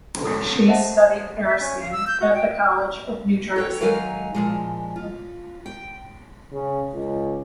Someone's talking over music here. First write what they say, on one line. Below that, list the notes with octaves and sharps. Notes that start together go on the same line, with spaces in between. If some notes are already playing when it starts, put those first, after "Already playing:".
She studied nursing at The College of New Jersey.
A4 D#6
C5 D#5 E5 F#5 A5
E5
C#4
F5
E6
G6
F#4
G5
A4 C#5 G5
D#3 F#3 G#3 D#4 F5 G#5
A#2 F3 G#3
F4
G5
C#3
C#2